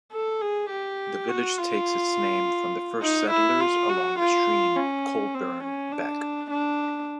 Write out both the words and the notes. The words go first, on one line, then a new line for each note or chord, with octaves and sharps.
The village takes its name from the first settlers along the stream Colburn Beck.
A4
G#4
G4
F#4
F4
D#4
E4
F4
F#4
F4
C#4
C4
C#4
D4
D4